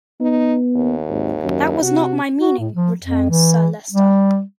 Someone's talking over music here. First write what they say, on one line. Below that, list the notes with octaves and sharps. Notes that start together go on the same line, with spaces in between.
"That was not my meaning," returns Sir Leicester.
B3 D#4
D#2
G#1
F#2
C3 F#4
F#4
A2
F3
F2
E3
G3